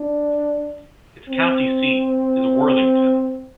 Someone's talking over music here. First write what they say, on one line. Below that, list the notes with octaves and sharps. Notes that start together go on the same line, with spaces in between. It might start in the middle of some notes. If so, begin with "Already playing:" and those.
Its county seat is Worthington.
Already playing: D4
C4